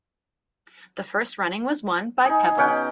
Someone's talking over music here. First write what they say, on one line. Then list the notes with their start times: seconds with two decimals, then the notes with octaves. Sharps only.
The first running was won by Pebbles.
2.25 D#4 G#4
2.58 B2 C#4 F#5 G5